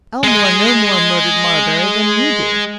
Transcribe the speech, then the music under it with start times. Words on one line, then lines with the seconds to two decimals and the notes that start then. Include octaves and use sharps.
"Aylmore no more murdered Marbury than you did!"
0.24 G#3 D#5